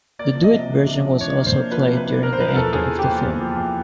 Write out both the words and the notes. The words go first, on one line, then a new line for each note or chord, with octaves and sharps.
The duet version was also played during the end of the film.
A#3 D5
F3
D#5
C3
D4
C3
F3
D4 C#5
A#3
C5
A#3
F3 B4
C3
B4
D4
C3 A#4
C5
F3 B4
A#4
E2 A4
E2 G#4
F3
G4
A#3
E2
F3
E2